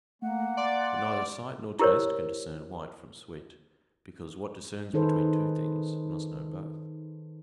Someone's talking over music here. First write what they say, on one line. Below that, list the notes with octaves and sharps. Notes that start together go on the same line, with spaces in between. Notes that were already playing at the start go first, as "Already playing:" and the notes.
But neither sight nor taste can discern white from sweet: because what discerns between two things must know both.
A3 A#3 F#5
D5 C6
E4 G4 A#4 C5 C#5
D#3 D#4 G#4 A4 B4 C5